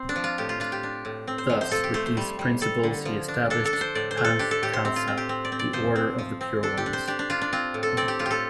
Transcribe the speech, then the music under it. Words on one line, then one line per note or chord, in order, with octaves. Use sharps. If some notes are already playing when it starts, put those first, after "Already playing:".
Thus with these principles he established Panth Khalsa, the Order of the Pure Ones.
Already playing: C4 C5
D4
F3
F4
A2 G4
F4
D4 F4
G4
D4
A2
C4
C5
F3
C5
F3 A4
G4
A3 C5
C5
G3
G3
G3 A4
D3
F3
D4
D4 A4
A4
D4
C5
A2 D5
C5
A3
A4
D4 G4
A4
A2 G4
C5
C4
F4
C4
G4
C4
D5
C4
D5
F3 C5
C4
F3
C4
D4 A4
G4
D4
C5
D4 G4
D4
D4 F4
D4
C4 F4
A2
A4
C4 D5
G4
A2 F4
G4 A4